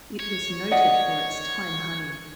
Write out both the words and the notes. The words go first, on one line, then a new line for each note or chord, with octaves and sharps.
It was noted for its thyme honey.
C#5
D5 D#5 F#5